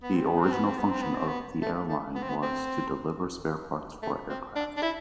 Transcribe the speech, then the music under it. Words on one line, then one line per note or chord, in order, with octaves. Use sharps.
The original function of the airline was to deliver spare parts for aircraft.
B3
C4
B3
C4
B3
C4
B3
C4
B3
C4
B3
A3
A3
B3
C4
B3
C4
A3
C4
D4
D4
E4